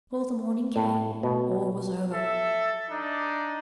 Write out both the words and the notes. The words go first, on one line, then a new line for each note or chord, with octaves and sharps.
Before the morning came all was over.
A2
B2
A4 E5
D4 D#4